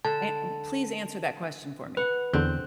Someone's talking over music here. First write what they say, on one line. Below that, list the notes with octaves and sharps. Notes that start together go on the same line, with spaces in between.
An m please answer that question for me.
D3 A5
B4 F#5
E2 D3 C4 F#6